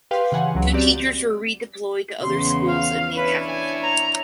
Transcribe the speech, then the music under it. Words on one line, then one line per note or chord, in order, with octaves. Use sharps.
Two teachers were redeployed to other schools in the academy.
G4 B4 F5 G5 C6
C#3 E3 F#5 G#5
C#2 F#3
C4 F#4 G4 D5
E2 C#3 C6
F5
D4 E4 B4 C#5
G#5
A#5